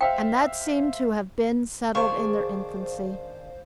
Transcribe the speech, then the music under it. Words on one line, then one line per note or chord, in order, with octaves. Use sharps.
And that seemed to have been settled in their infancy.
C5 E5 F5 G5
D#3 D4 G#4 C5 F5 C#6